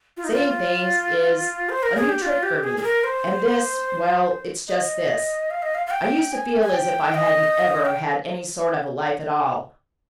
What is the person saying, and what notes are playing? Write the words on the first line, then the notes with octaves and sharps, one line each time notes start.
Saying things is a new trick for me, and this--well, it's just this: I used to feel as if I hadn't ever had any sort of a life at all.
F4
D#4
F4
C5
A#4
G#4
G4
F4
G4
G#4
G#4
A#4
C5
D#5
F5
D#5
F5
F5
G5
G#5
G#5
G5
D#5
G5